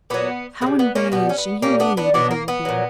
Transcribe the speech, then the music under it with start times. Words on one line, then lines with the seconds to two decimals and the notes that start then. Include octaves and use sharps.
How enraged and humiliated he will be!
0.10 A#2 F#3 B3
0.61 C#3 A#3
0.66 G3
0.79 B3
0.95 A#3 C#4
1.12 B2 G3 B3
1.29 C#4
1.38 B3
1.62 A#2 G3 A#3 C#4
1.80 B3 D4
1.97 B3 D4
2.14 B2 F#3 B3 D4
2.31 A#3
2.48 B3
2.65 A#2 F#3